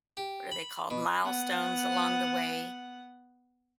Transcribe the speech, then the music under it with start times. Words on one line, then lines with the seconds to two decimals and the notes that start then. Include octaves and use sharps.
what are they called- milestones along the way
0.17 G4
0.51 B5
0.90 B2
1.25 B3 F#5